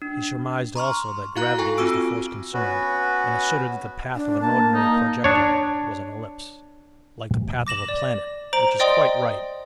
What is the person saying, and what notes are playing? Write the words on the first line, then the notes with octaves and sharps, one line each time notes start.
He surmised also that gravity was the force concerned, and asserted that the path of an ordinary projectile was an ellipse, like the path of a planet--which is quite right.
D4
A#5 C6 C#6 F6
E4 F#4 F5 A#5 F#6
A4 G5 G#5 C#6
C4 F4 F#4 D6 E6 D7
B3 C#4 F#4 B4
D4
A#3 A5
D#4
D4 C#5
D6 A#6 E7 F#7
D5
C5 A#5 D7 F#7
C5 D5 D#5 G5 C6 D#6